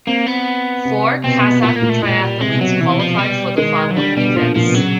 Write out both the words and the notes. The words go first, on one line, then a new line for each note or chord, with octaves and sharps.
Four Kazakh triathletes qualified for the following events.
A#3 C4
B3
C3
B2 C4
B2
B3
B2
A#2 B3
A#3
A#2
A3
A#2 G#3
G3
C3 G#3
B2
F#3
B2
B2 E3
F3
B2 G3
D#3 G#3
F#3
D3 G3
B2 G3
A#2 F3
A#2 F3
B2
C#3 F#3